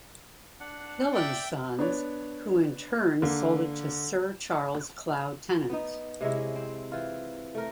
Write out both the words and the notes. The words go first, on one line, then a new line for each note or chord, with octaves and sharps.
Hill and Sons, who in turn sold it to Sir Charles Clow Tennant.
D4 F#5
D5 E5 G5
B3 D4 C#5
D3 A#3
B3 D#4
C3 G#3 C#4 E4
C4
E3 F4
A3 A#4